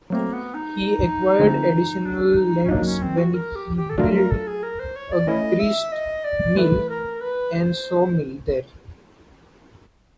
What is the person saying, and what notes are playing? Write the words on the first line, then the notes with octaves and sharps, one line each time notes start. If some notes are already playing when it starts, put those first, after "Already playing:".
He acquired additional lands when he built a grist mill and sawmill there.
F#3 A3 A#3 C4
B3
D#4
D3 F3 A3 C4
D4
D#4
C#4
F#3 A#3 D4 D#4
C#4
C4
F#4
A#4
G4
G4
A4
F#3 A3 D4 F4 A#4
A#4
A4
G#4
A#4
C5
C#5
D5
E3 A3 C#4 E4 D#5
E5
D#5
D5
A2 E3 A3 B4
A#4
B4
C5